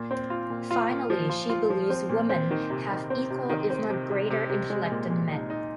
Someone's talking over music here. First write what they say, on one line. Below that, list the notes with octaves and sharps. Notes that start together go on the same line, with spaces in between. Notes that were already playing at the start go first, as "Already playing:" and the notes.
Finally she believes women have equal if not greater intellect than men.
Already playing: A#2
C4
F4
A#2
F4
A#2
F3
F4
F4
F3
C4
A#2
C4
D#3
C3
D#3
C4
C3
D#3
C4
C3
C3
C3
C3
G#3
A#2
A#2
D#4
D#4